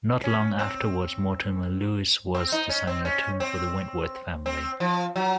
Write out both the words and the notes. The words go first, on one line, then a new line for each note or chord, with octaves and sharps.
Not long afterwards, Mortimer Lewis was designing a tomb for the Wentworth family.
C#4
C4
C4
D#4
C#4
C4
C#4
C4
C4
F3
F#3